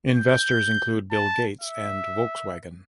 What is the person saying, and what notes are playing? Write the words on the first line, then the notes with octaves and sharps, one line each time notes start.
Investors include Bill Gates and Volkswagen.
G6
A5
E5